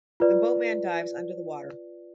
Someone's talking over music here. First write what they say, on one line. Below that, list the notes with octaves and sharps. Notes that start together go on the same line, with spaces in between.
The boatman dives under the water.
F4 B4 D5